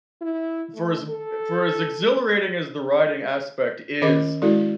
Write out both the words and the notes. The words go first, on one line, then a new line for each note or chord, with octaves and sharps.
for as for as exhilarating as the riding aspect is,
E4
A3
A4
D#3 C#4 A#4 D#5 B5 D6
G#3 E4 F#4 A4 D5